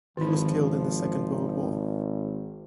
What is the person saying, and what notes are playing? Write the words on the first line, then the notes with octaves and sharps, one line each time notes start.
He was killed in the Second World War.
G#1 D#3 F3 E4